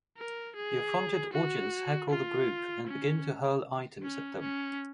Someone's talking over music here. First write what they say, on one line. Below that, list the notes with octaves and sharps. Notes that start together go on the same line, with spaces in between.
The affronted audience heckle the group, and begin to hurl items at them.
A#4
G#4
F#4
F4
C#4
C#4
C#4